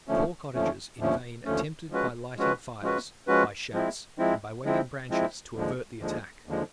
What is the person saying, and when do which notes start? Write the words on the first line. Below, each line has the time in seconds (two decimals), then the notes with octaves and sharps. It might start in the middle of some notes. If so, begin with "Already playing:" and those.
The poor cottagers in vain attempted by lighting fires, by shouts, and by waving branches to avert the attack.
0.08 D#2 D3 F3 A3 C#4
0.55 D#2 D3 F3 A3 C#4
0.99 D#2 D3 F3 A3 C#4
1.45 D#2 D3 F3 A3 C#4
1.90 F3 G#3 C#4 F#4 B4
2.37 F3 G#3 C#4 F#4 B4
2.82 F3 G#3 C#4 F#4 B4
3.27 F3 G#3 C#4 F#4 B4
3.73 F3 G#3 C4 E4
4.18 F3 G#3 C4 E4
4.65 F3 G#3 C4 E4
5.10 F3 G#3 C4 E4
5.56 D#2 D3 F3 G#3
6.01 D#2 D3 F3 G#3
6.46 D#2 D3 F3 G#3